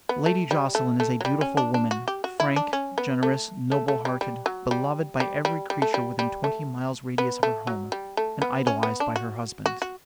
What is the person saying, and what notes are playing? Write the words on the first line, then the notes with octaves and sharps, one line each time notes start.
Lady Jocelyn is a beautiful woman, frank, generous, noble-hearted, beloved by every creature within twenty miles' radius of her home, and idolized by her husband.
B3
A3
G3
A3
A3
F#3
G3
C#4
D4
D4
F#4
G4
F#4
E4
D4
C#4
B3
A3
A3
A3
G3
G3
F#3
G3
G3
G3
G3
A3
G3
G3
A3
B3
A3
F#3
G3
A3
B3
C#4
B3
D4
F#4
F#4
F#4